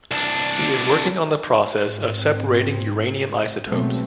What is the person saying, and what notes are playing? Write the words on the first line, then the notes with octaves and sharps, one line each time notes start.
He is working on the process of separating uranium isotopes.
C2 D4
G#2 C4
B2 F#3 G#3 A3 B3 C4